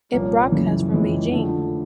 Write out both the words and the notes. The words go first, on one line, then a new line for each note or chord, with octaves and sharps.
It broadcasts from Beijing.
C2 A#2 F3 A#3 C#4
F#2 C#3 E3
F2 C#3 E3 G#3
D3 F3 A3